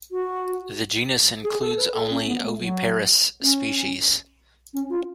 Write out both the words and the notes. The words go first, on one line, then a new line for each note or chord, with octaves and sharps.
The genus includes only oviparous species.
F#4
G#4
A4
B4
A4
C#4
B3
A3
F#3
C#4
C#4
F4